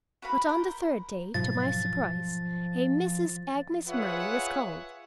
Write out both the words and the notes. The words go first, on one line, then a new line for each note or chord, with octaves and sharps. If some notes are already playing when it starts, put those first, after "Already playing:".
But on the third day, to my surprise, a Mrs. Agnes Murray was called.
F#4 B4 F5 B5
A#4 C5
G#2 B2 F3 F#3 A6
F4 G#4 B4 C#5 E5 F#5